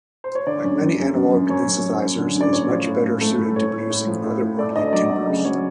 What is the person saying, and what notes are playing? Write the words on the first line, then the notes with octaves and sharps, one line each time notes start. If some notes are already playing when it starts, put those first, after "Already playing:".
Like many analog synthesizers, it was much better-suited to producing "otherworldly" timbres.
C5
C#5
D3 D5
F#2
F#2
F#2
F#2
F#2
F#2 C#5
F#2
F#2
F#2
D3
F#2
D5
A2 C#5
F3
A2
A2
A3
A2
A2 C#5
A2
A2
F3
A2
A2
A3 D5
D5
D2 D#5
F#3 D5
F#3 D#5
C#3 D5
F#3 C#5